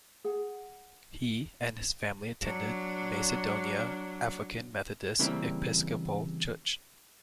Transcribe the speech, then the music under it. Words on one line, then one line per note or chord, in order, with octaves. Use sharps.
He and his family attended Macedonia African Methodist Episcopal Church.
G#4 F#5
F#3 D4
C#3 E3 G3 A#3 C4